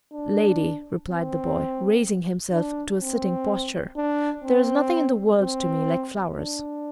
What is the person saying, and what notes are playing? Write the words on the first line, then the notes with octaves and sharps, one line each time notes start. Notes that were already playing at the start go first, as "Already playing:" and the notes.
"Lady," replied the boy, raising himself to a sitting posture, "there is nothing in the world to me like flowers."
D4
C4
D4
C4
D4
C4
C4
D4